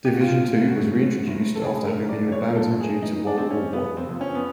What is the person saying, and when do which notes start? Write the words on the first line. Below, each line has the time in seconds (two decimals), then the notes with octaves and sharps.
Division Two was reintroduced after having been abandoned due to World War One.
0.05 G4
0.13 F#4
0.21 D3 F4
0.44 F4
0.57 F#1
0.69 F#4
0.92 F#2
1.27 F#1
1.56 A4
1.62 D3 G#4
1.86 A#4
1.97 F#1
2.09 D5
2.32 F#2 C#5
2.50 A#4
2.56 A4
2.67 F#1
2.80 G#4
3.02 E3 D#4
3.27 D4
3.38 G3 C4
3.50 C#4
3.73 C#3 B3
3.97 C4
4.09 F2
4.21 C#4
4.35 B3